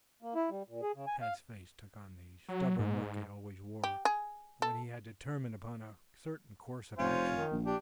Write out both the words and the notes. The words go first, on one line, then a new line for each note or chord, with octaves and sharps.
Tad's face took on the stubborn look it always wore when he had determined upon a certain course of action.
A#3
E4
G3
A#2
G#4
C#3
G#5
F5
F#3
G#2
G4
G#4
A4
F1 C#4 F4 C5 C#5
D#3
A#1
D4 G4